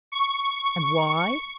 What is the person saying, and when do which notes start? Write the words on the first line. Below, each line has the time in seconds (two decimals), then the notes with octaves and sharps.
And why?
0.12 C#6